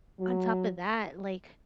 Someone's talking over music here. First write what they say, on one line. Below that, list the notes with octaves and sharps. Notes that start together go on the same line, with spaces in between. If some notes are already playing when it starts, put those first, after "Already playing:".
On top of that, like,
F#3